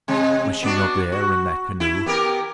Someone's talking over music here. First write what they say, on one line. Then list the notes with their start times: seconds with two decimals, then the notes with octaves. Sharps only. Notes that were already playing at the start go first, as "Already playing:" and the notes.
Was she not there in that canoe?
0.08 C3 G#3
0.63 B3 D4 F#4
1.12 F#4
1.80 E4
2.06 B3 G4 A#4